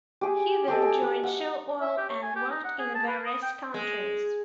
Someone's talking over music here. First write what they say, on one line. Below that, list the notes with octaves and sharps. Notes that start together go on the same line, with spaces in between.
He then joined Shell Oil and worked in various countries.
G4 G#4
G4 A4 D#5
G#5
G4
F#5
E5
G4
C#5
G#5
G4
D#4
F#5
G#4
A5
B4
D#6
G5
G#3